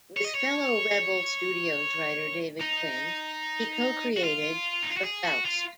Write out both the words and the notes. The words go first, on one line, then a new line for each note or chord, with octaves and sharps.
With fellow Rebel Studios writer David Quinn, he co-created the Faust.
C#5
D#5
C#5
D#4
F#4
F4
D#4
F4
F#4
G#4
F#4
F4